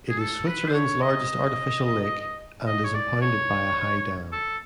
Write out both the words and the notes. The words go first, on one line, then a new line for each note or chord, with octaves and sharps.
It is Switzerland's largest artificial lake, and is impounded by a high dam.
G#4
A4
B4
C5
C#5
D#5
D#5
C#5
D5
C#5
A4